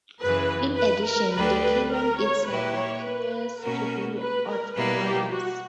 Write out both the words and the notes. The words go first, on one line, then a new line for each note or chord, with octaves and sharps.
In addition, the cannon itself appears to be autonomous.
F#2 C#3 E3 B4
B4
A#4
D2 D3 G3 B4
B4
A#4
C#5
A#2 A#3 E4 G4 B4
C#5
B4
B2 A#3 C#4 F#4 A#4
B4
A#4
B2 G3 A#3 E4 B4
G4
F#4